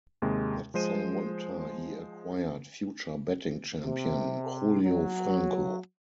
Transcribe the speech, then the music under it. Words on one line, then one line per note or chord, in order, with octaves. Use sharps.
That same winter he acquired future batting champion Julio Franco.
D#2 C3 G#3
F3 G#3 C5 D#7
C3
F#3